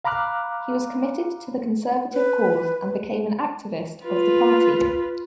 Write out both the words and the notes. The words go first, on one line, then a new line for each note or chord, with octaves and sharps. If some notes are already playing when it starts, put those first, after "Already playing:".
He was committed to the Conservative cause and became an activist of the Party.
F5 A#5 B5 D6 F6 F#6
B4
F4 B4